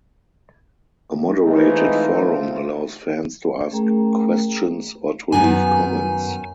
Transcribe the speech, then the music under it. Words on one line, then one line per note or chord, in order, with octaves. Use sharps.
A moderated forum allows fans to ask questions or to leave comments.
E3 G#3 A3 C4 D#4 F4
A3 C#4 G#4 A#4 G5 A#5
F#2 D#3 B3 G#5